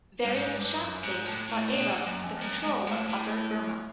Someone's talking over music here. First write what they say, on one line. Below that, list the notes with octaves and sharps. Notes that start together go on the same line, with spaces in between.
Various Shan states fought Ava for the control of Upper Burma.
G2
G#2
G2
F#2
G#2
A2
A2
B2
A#2
F#2
F2
F#2
G#2
A2
A2